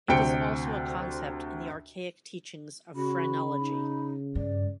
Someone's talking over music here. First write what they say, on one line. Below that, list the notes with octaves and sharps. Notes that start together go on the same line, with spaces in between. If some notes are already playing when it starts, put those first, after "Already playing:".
It is also a concept in the archaic teachings of phrenology.
D2 C3 C4 G5 C#7 D7
C#3 F#4 B5
D#4
G2 D5